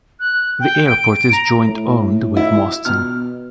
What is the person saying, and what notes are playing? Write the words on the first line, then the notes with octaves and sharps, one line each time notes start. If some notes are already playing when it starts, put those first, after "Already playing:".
The airport is joint owned with Mauston.
F#6
G5
D7
A#5
A2
E4
B2 F6